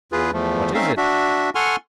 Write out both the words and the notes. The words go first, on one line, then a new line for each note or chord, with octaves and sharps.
"What is it?"
E2 F4 G#4 B4
E2 F3 A3
A3 C4 C#4 D#4 E5 F5
D4 F#4 E5
A4 F#5 G#5 C6 C#6 F6